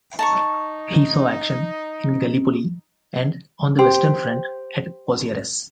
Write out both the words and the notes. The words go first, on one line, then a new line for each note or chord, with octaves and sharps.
He saw action in Gallipoli and on the Western Front at Pozieres.
D#4 A5 A#5 C#6
G4 C5